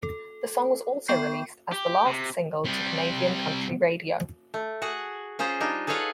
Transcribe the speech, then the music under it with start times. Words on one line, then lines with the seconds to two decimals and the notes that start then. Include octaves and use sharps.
The song was also released as the last single to Canadian country radio.
0.03 A4
1.08 B3 G5 B5 C#6 G6 C7
1.72 G4
2.06 C3
2.65 C3 G3
4.54 A3
4.82 F#4 G#4 F#5
5.39 C#4 F4 G#4 C5 A#5
5.60 G3 D4 D#4 F4
5.87 G#4 A4 B4 C#5 F5 F#5